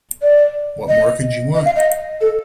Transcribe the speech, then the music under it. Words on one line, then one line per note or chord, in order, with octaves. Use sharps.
What more could you want?
D5
D#5
D#5
F5
D#5
A4